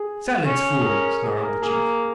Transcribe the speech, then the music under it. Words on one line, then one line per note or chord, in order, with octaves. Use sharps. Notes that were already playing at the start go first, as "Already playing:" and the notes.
"Silence, fool!" snarled the chief.
Already playing: G#4
C#4
G#4
A#4
G#4
A#4
A#3 G#4